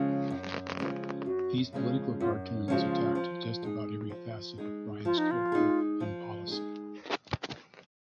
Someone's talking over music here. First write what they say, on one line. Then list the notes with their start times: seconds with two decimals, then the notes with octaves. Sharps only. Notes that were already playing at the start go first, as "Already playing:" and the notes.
These political cartoons attacked just about every facet of Bryan's character and policy.
Already playing: C#3 F3 G#3 C#4
0.30 F#2
0.79 C#3 F3 G#3 C#4
1.26 F#2 F#4
1.73 C#3 F3 G#3 C#4
2.20 F#2 F4
2.68 C#3 F3 G#3 C#4 F#4
2.84 F4
3.15 F3
3.62 G#3 D#4 G#4
4.10 F3
4.58 G#3 D#4 G#4
5.05 F3 F4
5.18 D#4
5.31 F4
5.52 G#3 D#4 G#4
6.00 F3
6.47 G#3 D#4 G#4